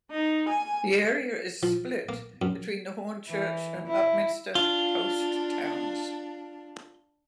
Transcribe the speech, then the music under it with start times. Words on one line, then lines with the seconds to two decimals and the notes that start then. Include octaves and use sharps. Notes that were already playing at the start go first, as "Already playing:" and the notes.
The area is split between the Hornchurch and Upminster post towns.
0.11 D#4
0.50 G#5
1.63 F3
2.09 A#3
2.42 F#2
3.29 E3
3.87 E4
4.55 D4 F4